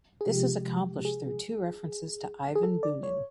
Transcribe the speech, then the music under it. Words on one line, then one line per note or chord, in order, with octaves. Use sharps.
This is accomplished through two references to Ivan Bunin.
G#4
C3 F3 G#3 G4
G#4
G#4
A4
D5
C#5